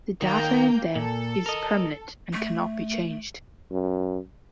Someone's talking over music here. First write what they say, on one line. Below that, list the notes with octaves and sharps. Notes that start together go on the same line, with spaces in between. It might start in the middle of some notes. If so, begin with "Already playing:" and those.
The data in them is permanent and cannot be changed.
D#3 A#3 G5 G6
A#2 A4
A#4 D#5
A3
F#2